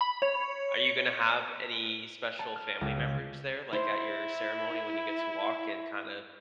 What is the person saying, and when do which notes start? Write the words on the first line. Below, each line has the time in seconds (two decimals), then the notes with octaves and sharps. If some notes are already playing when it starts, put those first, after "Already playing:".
are you gonna have any special family members there, like, at your ceremony when you get to walk and kind of
0.01 B5
0.22 C#5
0.85 C#7
2.39 A5
2.56 F6
2.81 C#2
2.99 C#3
3.73 E4 C5